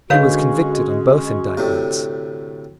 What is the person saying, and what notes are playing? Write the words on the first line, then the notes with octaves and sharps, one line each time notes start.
He was convicted on both indictments.
D3 G#3 C#4 F#4 G#4 B4 C#5 F5
D2 A2 C3